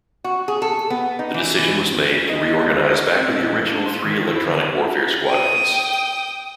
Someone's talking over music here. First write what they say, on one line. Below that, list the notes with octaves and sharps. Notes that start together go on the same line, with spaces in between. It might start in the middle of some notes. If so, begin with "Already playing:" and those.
The decision was made to reorganize back to the original three electronic warfare squadrons.
F#4
G#4
A4
B3
D#4
E3
E3
D#5
C#2
D#5
C4
A#2
D4
C6
D#3
E4
D3
G5 D#6